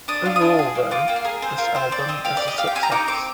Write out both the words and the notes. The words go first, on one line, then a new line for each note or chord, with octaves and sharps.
Overall, though, this album is a success.
D4 D#6
F4
D#6
D4
G#4
A#3
F4 D6
A#3 G5
F5
G#4 A#4
C4 C5
F4 A#4
C4 C5
C4 D5
C4 D#5
G4 F5
D5
G4
D#5
G4 F5
G5
C4 G#5
A#5
D#4 D6
C4 D6